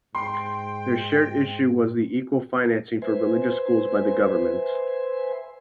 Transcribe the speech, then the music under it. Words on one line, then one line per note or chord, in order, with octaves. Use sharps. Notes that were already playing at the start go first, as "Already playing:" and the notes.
Their shared issue was the equal financing for religious schools by the government.
G#2 G5 C6
B4 C5 E5 G#5 C6